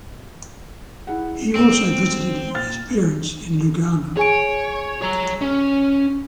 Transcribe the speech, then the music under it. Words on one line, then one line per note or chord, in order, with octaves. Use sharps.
He also visited his parents in Lugano.
E4 G#4 F#5
A1 C4
A#2 F6 A6
G#4 C#5 G#5 D7
C#5 A#5
C#4